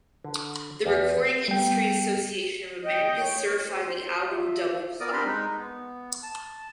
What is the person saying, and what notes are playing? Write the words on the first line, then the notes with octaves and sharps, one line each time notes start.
The Recording Industry Association of America certified the album double platinum.
D3
E2
G3 B3 G5
D#5 G5
C#5
C5
F4 E5
B3 A#4 D5 D#6
C4 D4 G4 A#4 B5 C6
G#3 D#4
B3
A5